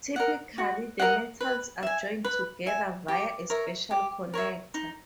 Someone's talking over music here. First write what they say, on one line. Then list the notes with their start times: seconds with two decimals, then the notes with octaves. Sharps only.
Typically, the metals are joined together via a special connector.
0.16 A#4 D#5 F#5
0.58 F#4
1.00 A#4 D#5 F#5
1.41 B4
1.83 E5 G#5
2.25 B4
2.66 E5 G#5
3.08 G4
3.50 A#4 C#5 E5
3.91 G4
4.34 A#4 C#5 E5
4.74 D#4